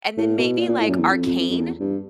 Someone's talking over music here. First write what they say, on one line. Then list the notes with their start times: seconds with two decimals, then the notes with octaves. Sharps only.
And then maybe like Arcane?
0.18 A2
0.38 B2
0.58 A#2
0.69 A#2
0.78 A2
0.89 F#2
0.99 E2
1.12 F2
1.26 F2
1.40 F2
1.50 F2
1.60 E2
1.80 G2